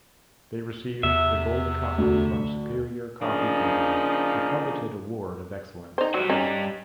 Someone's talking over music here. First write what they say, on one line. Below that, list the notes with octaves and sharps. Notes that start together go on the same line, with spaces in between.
They received the "Gold Cup" from Superior Coffee Company, a coveted award of excellence.
E2 C3 E5
D2
C#3 F3 A#3 D4 D#4
D#4 C5
F#3 G3 F#4
G2 G3 C#4 D#4